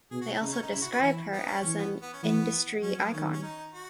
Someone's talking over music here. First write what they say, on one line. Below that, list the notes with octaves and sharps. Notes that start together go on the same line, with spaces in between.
They also describe her as an "Industry Icon".
B2 G#4
F#4
E4
C#3 D#4
C#4
D#4
C#3 E4
F#4
F#4
E3 E4
B3
C#4
E3 C#4
B3
B3
C#4
E3 B3
F#3 C#4
B3
D#3 C#4
C#4
D#4
F#4